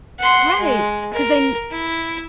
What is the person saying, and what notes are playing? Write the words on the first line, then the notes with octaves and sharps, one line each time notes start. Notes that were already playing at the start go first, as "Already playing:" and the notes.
Right, 'cause then
F#5 C6
G#3
A#4
E4